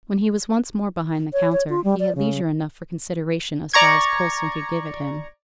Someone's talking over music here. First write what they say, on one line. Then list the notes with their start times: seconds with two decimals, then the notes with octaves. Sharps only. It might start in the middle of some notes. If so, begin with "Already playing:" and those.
When he was once more behind the counter, he had leisure enough for consideration as far as Coulson could give it him.
1.33 C#5
1.52 C#5
1.69 F4
1.84 G3
1.99 D5
2.15 C#3
3.74 D5 A#5 C#6 G#6